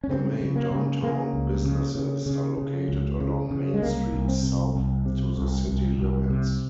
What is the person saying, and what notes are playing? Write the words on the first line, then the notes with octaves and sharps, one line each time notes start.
The main downtown businesses are located along Main Street south to the city limits.
C#4
C#3 C4
C#3
A#3
C#3
C#3 A#3
C#2
C#3
C#3
C#3
C#3
C#2
C#3
C#3
G#3
C2 A#3
C2
C4
C3
C2
C3
C2
C2
C2
C3